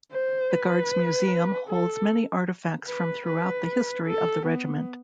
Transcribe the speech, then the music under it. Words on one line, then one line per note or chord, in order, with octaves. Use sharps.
The Guards' museum holds many artifacts from throughout the history of the regiment.
C5
B4
A4
B4
B4
A4
B3